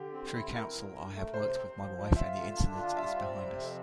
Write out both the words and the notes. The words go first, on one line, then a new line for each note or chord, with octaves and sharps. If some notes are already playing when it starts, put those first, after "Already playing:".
Through counsel I have worked with my wife and the incident is behind us.
Already playing: D3 G4
C4
E4
E4 A#4
G2
G2
A3
C3 C5
C4
F3
F3
F4 E5
D3
D4
F4
G3 E5
C4
C3
F2